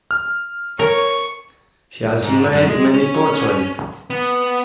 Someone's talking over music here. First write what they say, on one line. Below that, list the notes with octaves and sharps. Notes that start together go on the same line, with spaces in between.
He also made many portraits.
F6
A#4 C#5 C#6
G#2
F#2
G#3
C#4
B3